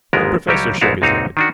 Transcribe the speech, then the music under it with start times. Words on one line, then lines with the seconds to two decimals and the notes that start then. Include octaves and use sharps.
The professor shook his head.
0.13 G1 D#2 G#2 G#3 B3 A#4
0.47 C#2 F#3 G3 G4 C#5
0.81 A#1 G#2 B3 E4 F#4 F5
1.02 C#2 A#2 C4 D#4 F#4 F5
1.37 D#3 D4 F#4